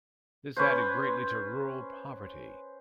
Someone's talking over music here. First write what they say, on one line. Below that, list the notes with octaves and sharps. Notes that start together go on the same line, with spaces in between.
This added greatly to rural poverty.
C#4 B4 C5